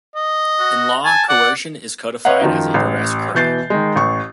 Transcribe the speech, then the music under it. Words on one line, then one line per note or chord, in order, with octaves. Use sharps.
In law, coercion is codified as a duress crime.
D#5
F#4
G#5 A5
D5 F#5
B4 C#5 D#5 F5 F#5
F#2 D#3 F3
A1
B2 E3 G6 A6 C7
D#3 G#3
A1 C#6